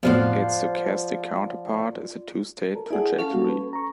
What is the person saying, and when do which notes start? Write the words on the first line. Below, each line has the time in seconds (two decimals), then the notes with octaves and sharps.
Its stochastic counterpart is a two-state trajectory.
0.03 B1 F2 A2 F3 F4 D5 F5 F#5
2.75 A4 A#4
2.90 E4 G#4 A4 D5 F#5
3.19 C#4 A4 F5 A5
3.33 G3 A#3 F#4
3.49 B4
3.73 A#5 C#6